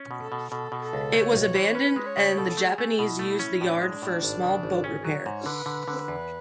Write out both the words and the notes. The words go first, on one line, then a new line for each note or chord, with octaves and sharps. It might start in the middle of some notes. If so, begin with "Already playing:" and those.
It was abandoned and the Japanese used the yard for small boat repair.
Already playing: C#4
B2
A4
B2
B2 A4
B2
A4
C#2
A3 C#5
B1
C#5
E3
C#4 B4
G#3
C#5
C#3
B2 A4
A3
G#4
A3
B2 E4
A3
E4
C#4
A2 D4
G#3
D4
A2
G#1
C#3
G#1
C#4 G#4
F#3
C#5
G#2
D3 B4
D3
D3
E2